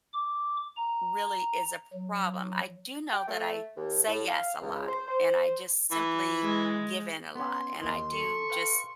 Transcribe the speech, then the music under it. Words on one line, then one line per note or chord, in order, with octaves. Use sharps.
really is a problem. I do know that I say yes a lot, and I just simply give in a lot, and I do just,
D6
A#5
F#3
G5
A3
D#2
A2
F5
C#2
C5
C5
E3
G#3
B3 C#4 C6
D#2 D#3 C6
A4 C#6
B4 F5 G5